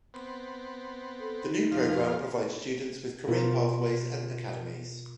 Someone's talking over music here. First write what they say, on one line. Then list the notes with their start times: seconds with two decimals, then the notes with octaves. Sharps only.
The new program provides students with career pathways and academies.
0.14 B3 C4
1.20 A4
1.44 D#4
1.72 F2 F3 F5
2.06 A4
3.28 B2 F4 A#4